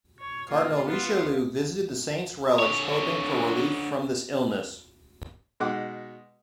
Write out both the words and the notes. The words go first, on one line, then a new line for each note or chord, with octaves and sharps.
Cardinal Richelieu visited the saint's relics hoping for relief from this illness.
C#5
A#3 F4
B3 F4
D3 C#5
B2 G#3 D#4 F#5 D6